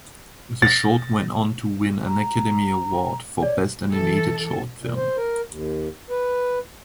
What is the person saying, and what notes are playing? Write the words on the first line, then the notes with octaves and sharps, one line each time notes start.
The short went on to win an Academy Award for Best Animated Short Film.
A6 A#6
A#5
C#5 D5
E3 A4
A#2
C5
A#4
D#2
B4